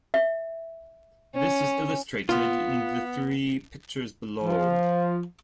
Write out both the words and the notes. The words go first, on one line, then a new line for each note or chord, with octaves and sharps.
This is illustrated in the three pictures below.
E5
C#4
B3 F4
F3